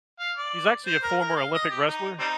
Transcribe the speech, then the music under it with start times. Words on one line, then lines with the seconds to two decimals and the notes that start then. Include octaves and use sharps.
he's actually a former Olympic wrestler.
0.20 F5
0.37 D5
0.86 C5
1.03 A#4
1.20 A#4
1.36 F5
1.54 D#5
1.70 G4
1.87 D#4
2.20 G3 C4 D#4